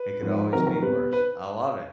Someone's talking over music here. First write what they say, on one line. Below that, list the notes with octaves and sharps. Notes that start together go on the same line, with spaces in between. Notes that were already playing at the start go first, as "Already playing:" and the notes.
It could always be worse, I love it.
Already playing: B4
G#2 F3
F2 C3 D#3 F#3 A#4
A#4
B2 G3 B4
B4